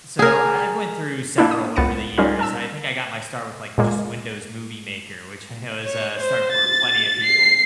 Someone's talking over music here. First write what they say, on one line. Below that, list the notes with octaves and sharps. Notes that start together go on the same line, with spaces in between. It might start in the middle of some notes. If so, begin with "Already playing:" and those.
So, I I've went through several over the years, I think I got my start with, like, just Windows Movie Maker, which I know is a start for plenty of people,
G#4 A#4
A#3 D4 E4
D#6
C#2 B3 A#4 A6 C#7 D#7
G3 C#4 D#4 F4 A#4
A#4 A5 E6
A#2 G#3 A#3
C#5
C5
A6
C7